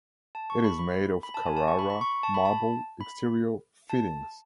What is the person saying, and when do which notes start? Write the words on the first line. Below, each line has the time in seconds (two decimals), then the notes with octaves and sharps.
It is made of carrara marble exterior fittings.
0.35 A5
0.50 C#6
0.64 B5
0.79 B5
1.23 B5
1.34 A5
1.46 G#5
1.57 A5
1.68 C#6
1.79 B5
1.90 B5
2.01 C#6
2.12 C#6
2.23 A5
2.34 B5
2.45 A5
3.01 B5
3.90 A5